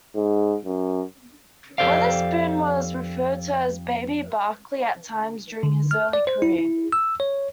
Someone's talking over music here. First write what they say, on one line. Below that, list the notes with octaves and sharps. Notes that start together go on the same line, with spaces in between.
Weatherspoon was referred to as "Baby Barkley" at times during his early career.
G#2
F#2
F2 G4 A4 C5 D5 F5
D3
F6
D5
C5
E4
E4
E6
C#5